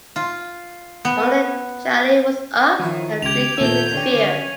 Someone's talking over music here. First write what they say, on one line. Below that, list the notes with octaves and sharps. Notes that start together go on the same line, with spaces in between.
Only Djali was up, and bleated with fear.
F4
B3
D#3 F3 E4 C#5
C#2 G4 G#6 F7
D#2 A#2 A3 E6 G6
D3 C#4 G4